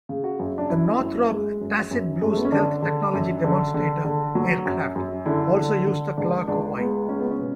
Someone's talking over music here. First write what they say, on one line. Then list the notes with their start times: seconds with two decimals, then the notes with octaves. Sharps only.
The Northrop Tacit Blue stealth technology demonstrator aircraft also used a Clark Y.
0.09 C#3
0.24 F#4
0.39 F#2
0.58 D4
0.70 F#2 E4
1.00 F#2
1.30 G#3
1.61 F#2
1.91 F#2
2.21 F#2 G#3
2.29 A3
2.37 B3
2.45 C#4
2.52 D3 D4
2.82 D3
3.13 F#2
3.44 D3
3.74 D3
4.05 D3
4.35 F#3
4.65 F#2
4.96 F#2
5.26 D3 E4
5.56 D3
5.87 D3
6.17 C#2 D4
6.48 C#2 D4
6.78 G#3 B3
7.09 G#3 C#4
7.20 B3
7.31 C#4
7.39 B2